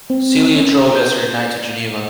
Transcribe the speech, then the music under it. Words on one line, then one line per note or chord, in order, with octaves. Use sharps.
Celia drove yesterday night to Geneva.
C4
C#4
G6